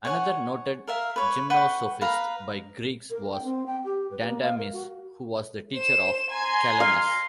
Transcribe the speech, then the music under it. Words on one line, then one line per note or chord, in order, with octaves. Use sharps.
Another noted gymnosophist by Greeks was Dandamis, who was the teacher of Calanus.
C#5 F#5 G#5
A#4 E5 F5
B4 C#5
B4 F#5 G5 C#6
B4 F5 A#5
A#4
G5
C4
G5
G4
B4
A#3
F5
A#4
F#4
C5 E7
G#5 A#5 C6
F5